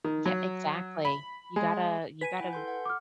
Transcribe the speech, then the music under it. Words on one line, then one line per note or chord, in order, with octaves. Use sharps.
Yeah exactly, you gotta you gotta
D#3
F#3
B5
G#3
B4 G#5 B6 D#7
E4 F#5 G5
A4 C6 G6
F#5
D6 F6